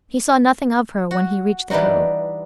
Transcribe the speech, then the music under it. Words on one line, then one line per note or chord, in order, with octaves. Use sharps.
He saw nothing of her when he reached the Cove.
F#4
E3 G3 D4 D#4 F#4